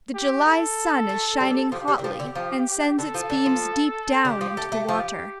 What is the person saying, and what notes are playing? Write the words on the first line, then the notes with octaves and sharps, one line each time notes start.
The July sun is shining hotly, and sends its beams deep down into the water.
G4
A4
A3
G3
F3 G4
G3
D3
F3
D3
F3
D3 A4
F3
D3
F3
D3 G4
F3
A3
A3
F3 G4